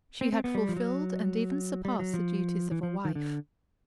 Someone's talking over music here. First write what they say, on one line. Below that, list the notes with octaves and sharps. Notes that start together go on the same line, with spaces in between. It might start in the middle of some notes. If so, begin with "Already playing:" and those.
She had fulfilled and even surpassed the duties of a wife.
C4
C4
B3
G3
F3
F#3
G3
F#3
F3
E3
F3
D#3
D3